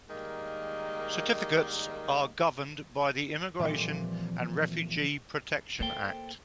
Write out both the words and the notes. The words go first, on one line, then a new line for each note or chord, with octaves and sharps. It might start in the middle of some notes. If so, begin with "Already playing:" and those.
Certificates are governed by the "Immigration and Refugee Protection Act".
D#3 G3 G#3 A#3 D#5
A#2 E3 F3 G3 A3 C4
A#3 A4 C5 G5